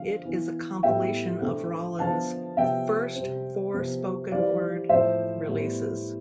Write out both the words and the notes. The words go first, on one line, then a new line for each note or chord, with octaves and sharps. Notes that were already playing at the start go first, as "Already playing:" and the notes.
It is a compilation of Rollins' first four spoken-word releases.
Already playing: D3 F3 C4 F5
E3 B3
A2 G3 B3 E5 G5
D3 A3 C4
D3 F3 B3 F5 A5
C3 F3 B3 E5 G5
C3 G3 C4
C3 F3 B3
E3 G3 C4 D5 F5
A2 F3 C4 C5 E5
A2 G3 B3